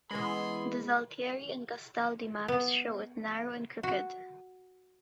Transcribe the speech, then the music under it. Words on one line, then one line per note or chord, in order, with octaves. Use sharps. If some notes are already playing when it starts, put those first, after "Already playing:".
The Zaltieri and Gastaldi maps show it narrow and crooked.
E3 G#3 B3 C#4 G#4 B5 C6
B3
F#4